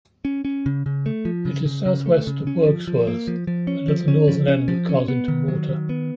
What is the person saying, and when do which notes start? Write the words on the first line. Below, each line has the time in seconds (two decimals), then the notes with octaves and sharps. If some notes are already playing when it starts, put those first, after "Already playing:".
It is south west of Wirksworth and at the northern end of Carsington Water.
0.25 C#4
0.45 C#4
0.66 C#3
0.86 C#3
1.06 A3
1.25 F3
1.45 C#3
1.65 C#3
1.86 C#3
2.06 A3
2.27 C#3
2.47 C#4
2.67 F3
2.87 F3
3.07 A#3
3.28 F3
3.47 F3
3.67 C#4
3.88 F3
4.08 C#4
4.28 F3
4.48 C#4
4.68 F3
4.89 C#4
5.08 B3
5.28 D#3
5.48 F#3
5.69 D#3
5.89 B3